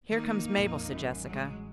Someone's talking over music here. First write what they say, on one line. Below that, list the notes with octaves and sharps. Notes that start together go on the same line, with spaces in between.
"Here comes Mabel," said Jessica.
D#3 A#3 D#4
A#1 F2 A#2
A1 F#2 G3
F#3 G#3